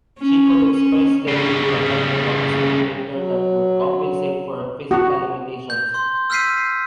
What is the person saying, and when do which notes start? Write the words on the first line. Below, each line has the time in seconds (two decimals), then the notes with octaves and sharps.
She could express them with the help of a facilitator that would compensate for her physical limitations.
0.19 C#4
0.73 C#4
1.27 C#3 G3
3.14 F#3
4.91 F#4
5.70 G6
5.94 C6
6.30 E6 F6 G6 B6 C7 D#7